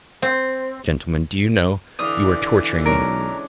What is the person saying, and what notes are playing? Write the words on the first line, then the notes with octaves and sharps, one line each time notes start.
Gentlemen, do you know, you are torturing me!
C4
D3 E3 D5 F5 D#6
B1 G#3 C#4 D4 A#4